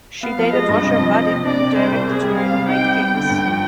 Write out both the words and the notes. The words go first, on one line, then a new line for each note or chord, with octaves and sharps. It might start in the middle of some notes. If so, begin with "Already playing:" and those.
She dated Roger Vadim, who directed her in "Night Games".
B3 F5
F3
G#3 D#5
G2
C3
F3
C4
C3
D4 D5
C3
G3 C5
C2
C3 G#4
G3
C4 F5
C3
D#4 G5
G3
B3 G5
D3
G2
F3